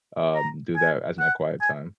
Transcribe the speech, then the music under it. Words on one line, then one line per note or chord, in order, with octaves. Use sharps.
um, do that as my quiet time,
A#5
G#5
F#5
G#5